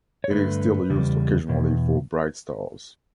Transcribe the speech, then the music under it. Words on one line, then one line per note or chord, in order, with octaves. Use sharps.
It is still used occasionally for bright stars.
C#5
G2 D3 A3 B4
E2 C#3 G3
E2 B2